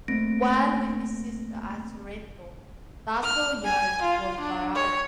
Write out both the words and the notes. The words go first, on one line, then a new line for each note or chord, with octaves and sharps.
While with his sister at Sorrento, Tasso yearned for Ferrara.
A3 A#3 C4 A#6 D7
F6
G#5
F4
D4
C#5